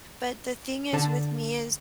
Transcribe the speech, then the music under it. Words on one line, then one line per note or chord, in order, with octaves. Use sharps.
But the thing is with me is
D3 D4 A5